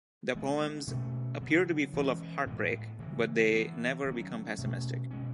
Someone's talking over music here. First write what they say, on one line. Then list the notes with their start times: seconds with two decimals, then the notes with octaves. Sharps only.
The poems appear to be full of heartbreak but they never become pessimistic.
0.35 D#3 G#3 B3
0.87 B2 A3 C#4
1.40 C#3 F#3 B3
1.93 E3 G#3 C#4
2.46 A2 G#3 B3
2.99 C#3 E3 G#3
3.52 E3 B3
4.04 D#3 F#3 A3 C#4
4.58 B2 A3 C#4
5.11 B2 G#3 C#4